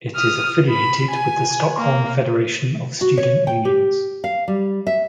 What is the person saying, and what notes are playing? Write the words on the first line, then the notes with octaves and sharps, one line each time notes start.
It is affiliated with the Stockholm Federation of Student Unions.
D#6 F6
B5
G#5
A#3
F#4
C#5
G5
G4
F5
G3
E5